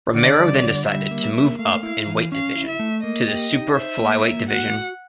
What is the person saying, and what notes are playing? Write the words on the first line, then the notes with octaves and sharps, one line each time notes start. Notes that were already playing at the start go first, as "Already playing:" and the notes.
Romero then decided to move up in weight division, to the Super Flyweight division.
D3 D5
G3
D3
G3 E5
A#3
A#3
A3 F5
E4
E3
C#4 F5
E4
E5
A3
A#3 D#5
G4
D#4
C5 E5
A#3
A#3
F#4 F#5
F#4